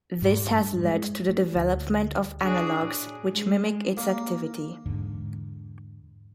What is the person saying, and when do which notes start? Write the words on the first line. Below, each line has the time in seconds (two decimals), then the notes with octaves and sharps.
This has led to the development of analogs which mimic its activity.
0.22 G#2
0.49 G2
0.84 G#3
1.29 A3
1.55 D2
2.42 D4 F#4 G#4
2.81 A2
3.32 G#3
3.97 A#3
4.86 E2 G#2 D3